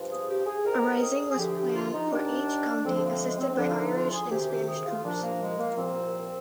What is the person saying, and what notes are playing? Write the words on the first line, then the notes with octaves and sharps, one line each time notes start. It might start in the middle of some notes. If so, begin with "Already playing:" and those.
A rising was planned for each county, assisted by Irish and Spanish troops.
Already playing: G2 F3
G#4
G4
G#4
F2 D#3 A#4
G#4
G#4
D2 D3 F3 G4
G4
F4
D#4
D#2 D#3 D4
D2 D3 F3 C4
A#3
G#3
C4
C4
D2 D3 F3 D4
F4
D#4
F4
G#4
D2 C3 D#3 G4
G4
G#4
F4
C2 A#2 F3 D4
A#3
G#3
A#3
C2 A#2 F3 C4